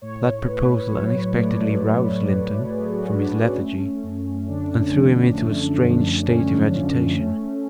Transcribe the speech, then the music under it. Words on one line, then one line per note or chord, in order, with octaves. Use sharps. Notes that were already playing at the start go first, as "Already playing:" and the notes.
That proposal, unexpectedly, roused Linton from his lethargy, and threw him into a strange state of agitation.
A2 C#5
A2 B4
F#3 C#5
A3 D5
A2 C#5
A2
F#3 G#4
F#4
A3 D4
C#4
A3
F#2
D3 D4
F3
A3
F#2
D3 C#4
F3
A3